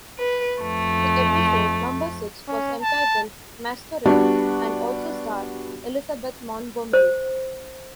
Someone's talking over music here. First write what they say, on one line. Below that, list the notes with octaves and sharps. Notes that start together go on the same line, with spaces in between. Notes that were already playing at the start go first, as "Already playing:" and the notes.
The episode, number six, was entitled "Masquerade" and also starred Elizabeth Montgomery.
B4
F2 A3
C#4
A5
G3 B3 D4 F#4
C5